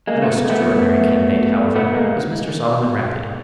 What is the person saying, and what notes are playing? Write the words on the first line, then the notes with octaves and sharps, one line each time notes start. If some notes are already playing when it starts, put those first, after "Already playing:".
The most extraordinary candidate, however, was Mr. Solomon Rapid.
G#3 A#3
A3 B3
A3 B3
A3 B3
G#3 A#3